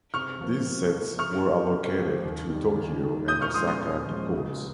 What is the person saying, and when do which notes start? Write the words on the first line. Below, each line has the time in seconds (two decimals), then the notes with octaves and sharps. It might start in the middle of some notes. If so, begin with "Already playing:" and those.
These sets were allocated to Tokyo and Osaka depots.
0.14 C3 C#6 F6
0.41 F3 A#3
0.67 C3
0.93 F3 A#3
1.19 C3 C#6 F6
1.45 F3 C4 G4
1.71 C3
1.98 F3 C4 G4
2.24 D#2
2.50 D#3 G3
2.76 D#2
3.02 D#3 G3
3.28 A#2 D#6 G6
3.42 C#6 F6
3.54 F3 G#3 C#4 G#4 C6 D#6
3.67 C6 D#6
3.81 A#2
4.07 F3 G#3 C#4 G#4
4.33 C#2